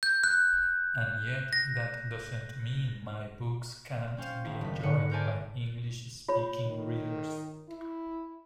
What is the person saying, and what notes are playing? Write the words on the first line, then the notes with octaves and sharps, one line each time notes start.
And yet, that doesn't mean my books can't be enjoyed by English-speaking readers.
G6
F#6
A#6
C4 C#4 C5 F5
G#1
F#1 B6
G#2 D3 B4 C#7
A#4 C5 D5 E5 G#5 A5
F4 C#5 B5
D#3
E4